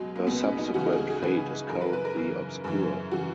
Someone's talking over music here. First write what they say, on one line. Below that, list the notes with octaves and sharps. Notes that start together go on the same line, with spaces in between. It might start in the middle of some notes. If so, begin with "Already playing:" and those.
Her subsequent fate is currently obscure.
Already playing: C#2 B2 F#3 G#3
A#3
C#2 B2 B3
C#4
D#4
C#2 C#3 E3 F#4
D#4
G#4
F#4
G#4
C#2 C#3 E3 B4
F#2 C#3 E3 A#4
B4
B4
A#4
F#2 C#3 E3
F#2 C#3 E3
C#3 E3 F#4